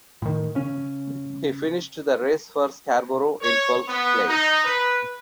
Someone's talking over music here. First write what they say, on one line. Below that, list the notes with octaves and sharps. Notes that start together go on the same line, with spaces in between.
He finished the race for Scarborough in twelfth place.
A2 D#3
C#3 C#4
C#5
B3
D#4
B4